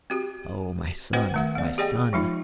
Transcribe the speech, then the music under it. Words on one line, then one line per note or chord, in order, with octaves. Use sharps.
Oh, my son, my son!
C4 F#4 G4
C4 F#4 B4 C5 D#5 F#5
D#3 A3 F#5
B3 D5
G4 G#4 D5 D#5 G5
F3 G#3 D#4 F4